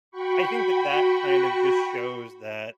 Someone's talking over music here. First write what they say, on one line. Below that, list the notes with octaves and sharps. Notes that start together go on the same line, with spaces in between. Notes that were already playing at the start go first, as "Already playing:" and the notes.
I think that that kind of just shows that
F#4 G5 B5 C#6